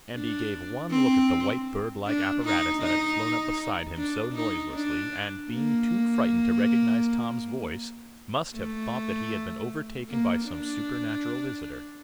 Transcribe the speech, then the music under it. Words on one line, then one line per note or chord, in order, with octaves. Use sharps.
Andy gave one look at the white bird-like apparatus that had flown up beside him so noiselessly, and, being too frightened to recognize Tom's voice, must have thought that he had been overtaken by some supernatural visitor.
D4
C4
D4
D#4
D#4
D4
D#4
D4
A#3
A3
A#3
D4